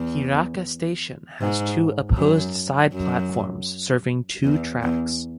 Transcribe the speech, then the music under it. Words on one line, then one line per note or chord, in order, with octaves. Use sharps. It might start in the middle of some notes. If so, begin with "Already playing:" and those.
Hiraka Station has two opposed side platforms serving two tracks.
Already playing: E2
G#2
F#2
F#2
E2
E2